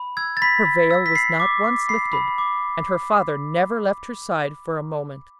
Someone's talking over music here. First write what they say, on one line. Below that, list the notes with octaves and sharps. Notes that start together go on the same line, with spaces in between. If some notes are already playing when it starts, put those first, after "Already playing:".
Her veil was not once lifted, and her father never left her side for a moment.
Already playing: B5
E6 G#6
A6
B5 B6
B5
E6
B6
B5 C7
D6
D6
B5 C7
B5
D6